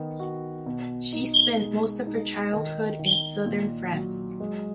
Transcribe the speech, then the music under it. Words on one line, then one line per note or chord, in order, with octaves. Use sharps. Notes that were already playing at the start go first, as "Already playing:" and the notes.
She spent most of her childhood in southern France.
Already playing: D#3 B3
F#4
B2
D#4
G#3
D#4
D#3
D#3
A#2
F#3
G#3